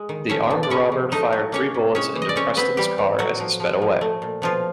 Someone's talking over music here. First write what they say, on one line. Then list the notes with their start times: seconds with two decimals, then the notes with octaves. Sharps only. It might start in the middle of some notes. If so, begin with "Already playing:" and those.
The armed robber fired three bullets into Preston's car as he sped away.
Already playing: G#3
0.09 D#3
0.29 A3 C#4 C#5
0.50 B2
0.63 D5
0.70 C#3 C#4 C#5
0.92 F3
1.12 A3 D#4 D#5
1.33 F#3
1.52 A#3 C#4 C#5
1.74 C3
1.95 G#3 C#4 C#5
2.15 E3
2.22 D#5
2.29 D5
2.36 C4 C#4 C#5
2.57 B3 C4 B4
2.77 E3 G3 G4
2.98 E3
3.19 A2 F#3 F#4
3.40 F3
3.60 F3
3.82 F3
4.01 A3
4.22 A#2
4.42 B2 F3 F4